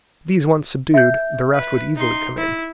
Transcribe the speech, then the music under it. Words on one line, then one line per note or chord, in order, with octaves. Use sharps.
These once subdued, the rest would easily come in.
E5 G6
B4
D#4 C6
E4